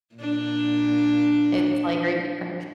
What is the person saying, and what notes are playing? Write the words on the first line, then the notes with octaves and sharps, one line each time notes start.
It's like, "Are are
A#2 D4